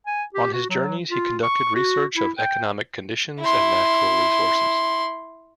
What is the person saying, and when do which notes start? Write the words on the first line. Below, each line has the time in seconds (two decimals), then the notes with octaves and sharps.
On his journeys, he conducted research of economic conditions and natural resources.
0.07 G#5
0.34 G4
0.53 F#4
0.70 F#3
1.11 F4
1.43 C#6
1.75 F#4
2.17 E4
2.38 G5
3.40 E4 C6